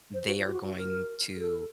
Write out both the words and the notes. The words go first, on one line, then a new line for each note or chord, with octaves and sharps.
they are going to,
C5
F#4
F4
G4
F#4
F#4
A#4
G#4
A4